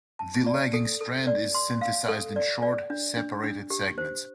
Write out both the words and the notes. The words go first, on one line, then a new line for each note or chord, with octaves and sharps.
The lagging strand is synthesized in short, separated segments.
A5
D5
A4
A4
D5
C6
F5
A4
D5
D5
D4
D4
D4
G4
C5